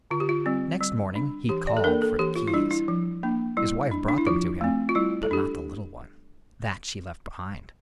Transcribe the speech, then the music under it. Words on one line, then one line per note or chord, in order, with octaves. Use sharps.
Next morning he called for the keys; his wife brought them to him, but not the little one; that she left behind.
D3 F4
G4
F4
G3 C4
G3
D4
E3 G4
D5
A4
A#3 D4 A#4
A4
E3 G4
F4
E4
G3 D4
E4
F3
A#3 D4
G3 E4
D4
D4
E4
F3 F4
A3 C4
F4
G3 E4
A4
D4 G4